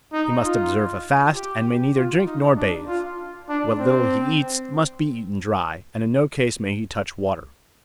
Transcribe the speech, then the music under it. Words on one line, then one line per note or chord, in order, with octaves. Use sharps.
He must observe a fast, and may neither drink nor bathe; what little he eats must be eaten dry, and in no case may he touch water.
D#4
F4
G4
F4
D#4
D4
F4
D4
C4